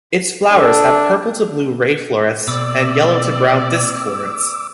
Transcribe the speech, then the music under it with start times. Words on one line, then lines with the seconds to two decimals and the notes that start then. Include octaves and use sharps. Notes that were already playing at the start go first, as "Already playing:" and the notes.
Its flowers have purple to blue ray florets and yellow to brown disk florets.
0.51 D4 A4
2.48 B2 A#3 C4 D5 D6 E6